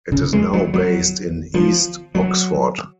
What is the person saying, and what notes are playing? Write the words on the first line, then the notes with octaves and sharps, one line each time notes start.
It is now based in east Oxford.
C#3
G#3
F#3
F#3
F3
F#3